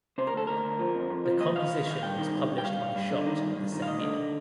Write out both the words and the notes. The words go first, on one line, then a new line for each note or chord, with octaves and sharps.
The composition was published by Schott the same year.
C3 C5
A#4
D2 A4
D2 A#4
D2
F3
F2
F2
F3
D#2 D#5
D#3 F5
D#3
D#3 F5
G2 G5
D#3
G2
G2
G5
G2 F5
G2
G2
D3
D#3
G2
G2
D#3
F5
D2 D#5
D3